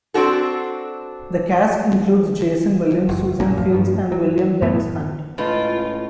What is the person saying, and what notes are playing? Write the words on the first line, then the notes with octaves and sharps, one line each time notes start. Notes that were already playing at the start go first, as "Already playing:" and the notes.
The cast includes Jason Williams, Suzanne Fields and William Dennis Hunt.
C4 D4 F#4 A4
F#1
B1 A#2 A#3 C#4
F#1 A2 F3
G2 F3
F#3
F#2 A2 A3 B3
C#2 A2 F4 B4 D#5